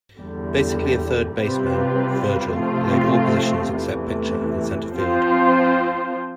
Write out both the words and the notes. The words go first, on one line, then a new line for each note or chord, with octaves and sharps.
Basically a third baseman, Virgil played all positions except pitcher and center field.
E2 D3 G3
C3 G3 C4 F4 B4
C3 F3 A3 C4 F4
E2 C3 E3 A3
F3 C4 F4 C5